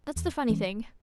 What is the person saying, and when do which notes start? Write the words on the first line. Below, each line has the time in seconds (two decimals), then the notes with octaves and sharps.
That's the funny thing.
0.16 E2
0.49 E3 G#3 C#4